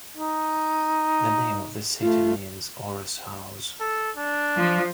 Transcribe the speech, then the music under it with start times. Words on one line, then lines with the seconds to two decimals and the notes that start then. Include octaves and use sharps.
The name of the city means "Oros' house".
0.17 D#4
2.00 A3 F4
3.80 A4
4.16 D4
4.58 F3